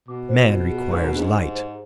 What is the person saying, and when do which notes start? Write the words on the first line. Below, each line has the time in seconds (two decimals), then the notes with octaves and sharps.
Man requires light.
0.08 B2 D6
0.29 C5
0.50 F4
0.71 G#4
0.91 G#2 B4
1.05 B2
1.13 G#2 D4
1.34 G4
1.55 C5